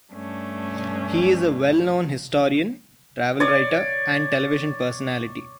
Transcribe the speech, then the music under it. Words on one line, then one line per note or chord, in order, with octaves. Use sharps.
He is a well-known historian, travel writer and television personality.
G2 A3 C#4 D4
C#5 D5